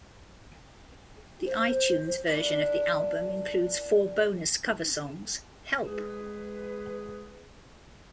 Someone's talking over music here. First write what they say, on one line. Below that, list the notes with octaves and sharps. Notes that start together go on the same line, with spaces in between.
The iTunes version of the album includes four bonus cover songs, Help!
C5
A#3 D4 E4
G#3 G#4 B4